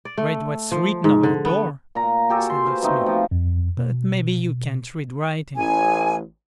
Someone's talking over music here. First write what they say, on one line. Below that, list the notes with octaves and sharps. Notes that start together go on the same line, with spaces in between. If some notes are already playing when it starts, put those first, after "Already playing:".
'Read what's written over the door', said the Smith; 'but maybe you can't read writing.
D5
A3
F3
G#2
D3
B3
A#2 A#5
F#4 G4 A4 G#5
C6
B4 C5 F5
B2 A3 C4 D#4
F3
F2
B2
A1 G#5